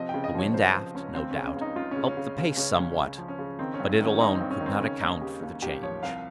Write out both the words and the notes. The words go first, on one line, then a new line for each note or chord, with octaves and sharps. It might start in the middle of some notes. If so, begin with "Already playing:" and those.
The wind aft, no doubt, helped the pace somewhat, but it alone could not account for the change.
Already playing: C3 F3 D#5
G5
C#3
D#5
F3 C#5
C#5
C#3 C5
F3 C5
C#2 C#4
C#2 C4
C#4
C#3
C#4
C#2
D#4
C#2 F4
C#4
C#3
C#4
C#3
C#2 C#4
C#3 C#4
C#2 C#4
C#3 C#4
F3
C#4
C#3
D#3 C4
C#4
G2
C#4
D#3
C#4
D#3 D#4
C4
G2
C#4
D#3
C4
C#3 C#4
D#2 D#4
C#3 G4
D#2
D#2 G4
F3 C#5
C2 F5